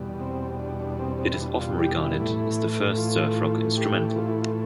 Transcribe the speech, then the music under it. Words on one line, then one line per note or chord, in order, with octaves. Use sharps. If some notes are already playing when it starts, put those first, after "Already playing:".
It is often regarded as the first surf rock instrumental.
Already playing: E2 B2 G3
C4
D4
D4
C4
C4
E4
D4
F4
G4
E4
A2 E3 A3
F4
G4
F4
E4
F4